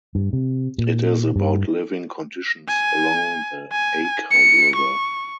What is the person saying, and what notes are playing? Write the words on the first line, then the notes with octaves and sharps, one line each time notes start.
It is about living conditions along the Aker River.
G2
C3
A#2
G2
G#5
G#5
C#7
C#6